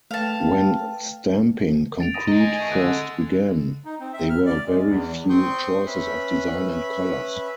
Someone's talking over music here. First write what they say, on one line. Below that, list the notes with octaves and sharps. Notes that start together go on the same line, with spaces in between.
When stamping concrete first began, there were very few choices of design and colors.
A3 B4 F5 G5 A5
A6 D7 F7
D#6 A#6 D#7
F2 G#3 D#4 G#4 D#5
G#5
A3 G#5 D7
D3 D#6 E6 F#6
D#4
C4
E5
F6
D5
G#3
E2
C4 G5 C6 C#6 D#6 G6
C#4 B4 E5 B5